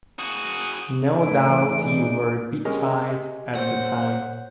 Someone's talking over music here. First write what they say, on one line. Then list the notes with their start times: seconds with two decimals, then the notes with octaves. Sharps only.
No doubt you were a bit tight at the time.
0.19 F#4 G#4
1.25 A2 E3 E4 D7
1.69 G#3 D4 D#4
2.65 G#3 C#4 G4 A#4 D#5
3.55 A#2 C5 C#5 F#5 G6